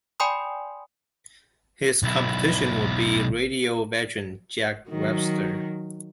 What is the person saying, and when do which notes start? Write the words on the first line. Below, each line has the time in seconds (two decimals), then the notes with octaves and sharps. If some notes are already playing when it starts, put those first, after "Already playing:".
His competition would be radio veteran Jack Webster.
0.20 D5 G5 G#5 B5 C6 D#6
2.03 B1 E4
4.89 D#3 F#3